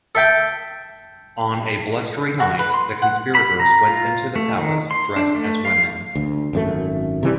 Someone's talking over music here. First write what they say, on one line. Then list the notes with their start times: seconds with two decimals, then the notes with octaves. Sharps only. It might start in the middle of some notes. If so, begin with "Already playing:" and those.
On a blustery night, the conspirators went into the palace dressed as women.
0.15 A4 E5 G5 A5
2.40 F#4
2.59 B4
2.74 C6
3.02 F#5
3.35 B5
3.60 A#5
3.88 F4
4.36 A3
4.55 D#3
4.91 C6
5.16 D4
5.35 A3
5.65 F5
6.15 D2
6.53 G#1 F#2 A3
7.23 C3 E3 G3